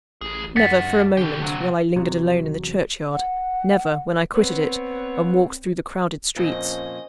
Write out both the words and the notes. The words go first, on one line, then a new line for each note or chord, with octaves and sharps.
Never for a moment, while I lingered alone in the churchyard; never, when I quitted it, and walked through the crowded streets.
A1 D2 G#4
F#2 G4 F#5 A6 B6 C#7
B2 D3 G4
C3 F#3
E2 C3 F#3
F#5
B3 C4 B4 C#5
F2 A#2 C#4 C5 D#5